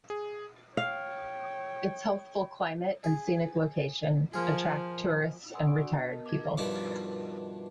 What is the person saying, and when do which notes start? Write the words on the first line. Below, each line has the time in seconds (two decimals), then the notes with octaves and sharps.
Its healthful climate and scenic location attract tourists and retired people.
0.10 G#4
0.77 C#5 F5 G5
3.04 G#4
4.34 F3 A#3 F4 G#4
5.54 F#5 G#5 B5 C6 D#6 E6
5.67 D4 D5 F#5 C#6 D7
5.81 F#4
5.98 B3 A5
6.12 A#4 D#5 A5
6.26 D6 G#6
6.57 G2 B2 D#3 F3 E4 D6